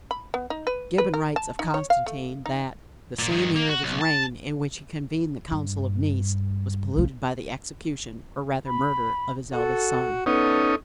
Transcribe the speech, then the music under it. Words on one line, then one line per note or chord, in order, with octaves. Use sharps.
Gibbon writes of Constantine that "the same year of his reign in which he convened the council of Nice was polluted by the execution, or rather murder, of his eldest son."
B5
B3
D#4
B4
B4
A#4
A5
D#4
C#5
F5
A3
D#4
A#2 A#3
G2 D#3
A#3
F#4
B1
A5
G2
B1 C#3
B5
F#4 A4
B3 C#4 D#4 A4